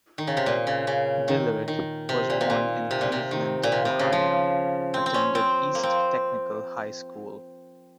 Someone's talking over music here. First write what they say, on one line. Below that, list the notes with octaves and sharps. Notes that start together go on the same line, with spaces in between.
Dillard was born in Cleveland, Ohio, attended East Technical High School.
D#3
C#3
C3
A#2
C#3
C#3
D#3
D#3
C3
A#2
C3
A#2
C3
A#2
C3
D#3
A#2
C3
C3
C#3
F3
C4
C4
C#4
C4
A#3
C4